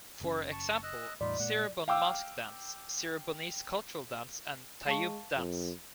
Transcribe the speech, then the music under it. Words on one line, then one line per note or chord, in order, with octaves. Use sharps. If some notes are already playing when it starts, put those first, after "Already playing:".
For example, Cirebon mask dance, Cirebonese cultural dance and Tayub dance.
F#1 C#4
A5 C#6
D#5 E6 F#6
E2 A2 G3 D#4 F4 D5 B5
A#2 G#3 F#5
F5 G5 D6 E6
G#3 F5 A5 C#6
F2